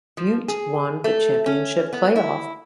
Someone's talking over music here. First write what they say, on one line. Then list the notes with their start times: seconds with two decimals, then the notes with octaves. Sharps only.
Butte won the championship playoff.
0.17 F3
0.48 G#4
1.04 A3
1.46 C#4
1.93 B3
2.16 E4